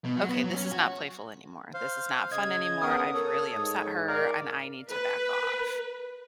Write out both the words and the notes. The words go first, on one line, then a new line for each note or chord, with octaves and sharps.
okay, this is not playful anymore, this is not fun anymore. I've really upset her, and I need to back off."
B2
F#3
B3
F#3
C#4
F#4
C5 F5
C#3 D#5 G#6
B3 A#4 D#6
A4 A#4 C#5
G#2
A#4 D5 F5
B4